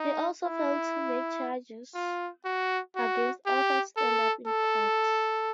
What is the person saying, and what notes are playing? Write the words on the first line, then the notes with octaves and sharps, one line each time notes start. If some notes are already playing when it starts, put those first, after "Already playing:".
He also failed to make charges against Arthur stand up in court.
Already playing: D#4
E4
F4
F#4
F#4
G4
A4
A4